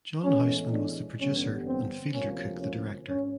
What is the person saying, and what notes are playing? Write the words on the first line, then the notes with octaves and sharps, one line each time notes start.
John Houseman was the producer and Fielder Cook the director.
A2 E3 G#3 B3 C#4
D4
A1 G2 D3 G3 B3 C#4
C4
D2 C3 F3 A#3 C#4
C#4
G#1 G#2 C#4